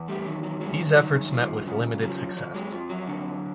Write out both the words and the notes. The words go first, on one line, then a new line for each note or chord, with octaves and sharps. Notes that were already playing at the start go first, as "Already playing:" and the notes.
These efforts met with limited success.
Already playing: E2
G3 A3
D#3 F#3
F#3
G2 F#3 G#3
F#3
D#3 F#3
G2 F3
C#3 F3
F3 F#3
F2 F3
F#3 G#3
F2 F3
F#3
D3